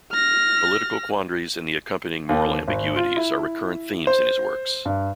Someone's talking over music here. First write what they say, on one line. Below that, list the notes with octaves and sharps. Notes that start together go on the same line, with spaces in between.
Political quandaries and the accompanying moral ambiguities are recurrent themes in his works.
F6 A#6
D#2
G#1
F4
E4
C5
G2